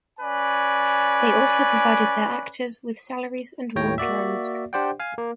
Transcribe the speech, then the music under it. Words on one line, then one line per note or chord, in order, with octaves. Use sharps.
They also provided their actors with salaries and wardrobes.
C#4 B4 D5 G#5
D#2 A2 A3 C#5 G5 A#6
A#3 F#4 D5 E5
D4 G4 C5 D5 F#5 G5
F5 G#5
A#3